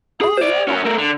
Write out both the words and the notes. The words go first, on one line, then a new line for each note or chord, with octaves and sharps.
Oh, yeah.
G#4
C5 D5
F#2 C#4
A3 A#4
D3